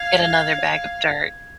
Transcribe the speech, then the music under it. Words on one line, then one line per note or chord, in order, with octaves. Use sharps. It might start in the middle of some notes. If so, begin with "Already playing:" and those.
get another bag of dirt.
Already playing: F5 G#6